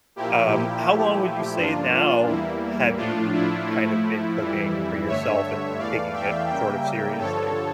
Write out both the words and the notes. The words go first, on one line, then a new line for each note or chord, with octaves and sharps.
um How long would you say, now, have you kind of been cooking for yourself and taking it sort of seriously?
A#2 F3 A#3 E4 G4
E4 G4
A#2 F3 A3
G2 F3 A#3 D4 F4
E2 E3 G3 A#3 E4
A2 F3 A3 D4 F4
E4
A2 F3 A3
F2 E3 G3
G2 D3 A3 C#5 E5
E2 E3 A3 D5 F5
E5 G5
C#3 G3 A#3 E5 G5
G2 D3 F3 A4 C#5